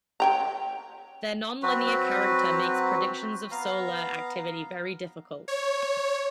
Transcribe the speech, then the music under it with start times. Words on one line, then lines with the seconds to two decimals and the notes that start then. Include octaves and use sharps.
Their non-linear character makes predictions of solar activity very difficult.
0.20 C#5 G5 A#5
1.63 F#3 C4 F#4 B4
3.51 B3 F5 A#5
5.48 C#5